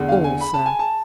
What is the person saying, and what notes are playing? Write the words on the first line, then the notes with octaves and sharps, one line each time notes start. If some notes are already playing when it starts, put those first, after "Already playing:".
"All, sir."
Already playing: E2 D3
F5
G#5
B5
A5
G#5
A5